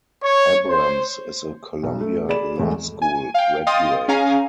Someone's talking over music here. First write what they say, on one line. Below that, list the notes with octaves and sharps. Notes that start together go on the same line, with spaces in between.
Abrams is a Columbia Law School graduate.
C#5
C5
B1
A3
G#4 D5 B5 E7
E2 G#3 A3
G#5
F5 G5
D#5 F5 G5 C6 D#6 A6
C#4 G#4 F5 G#5 A#5